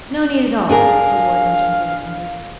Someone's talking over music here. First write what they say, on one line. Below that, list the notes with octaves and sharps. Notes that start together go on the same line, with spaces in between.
"No need at all," the Warden gently assented.
D4 G#4 A#4 F5